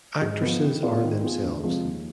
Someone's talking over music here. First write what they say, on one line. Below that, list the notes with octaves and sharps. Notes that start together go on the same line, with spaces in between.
Actresses are themselves.
G#2
F3 B3
D#3
B3 D4 F4 G#4
D#3
B3 F4 G#4
D2
C3 F3 G#3
D#2